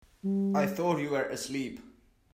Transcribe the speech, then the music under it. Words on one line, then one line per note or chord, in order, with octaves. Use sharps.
I thought you were asleep.
G3